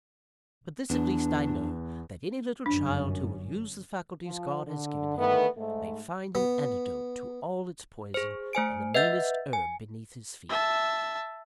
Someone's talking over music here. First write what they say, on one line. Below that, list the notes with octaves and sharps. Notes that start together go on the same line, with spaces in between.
But this at least I know: that any little child, who will use the faculties God has given him, may find an antidote to all its poison in the meanest herb beneath his feet.
E2 B3 D4
G1 F#2 C#4 D4
F3
D3
D3 D#3 A3 B3
G#2 A3
B3
G#4 C5
A3 C5 G#5 D7
B4 D#5 E5 F#5 G6 A6
G#5
E5 A5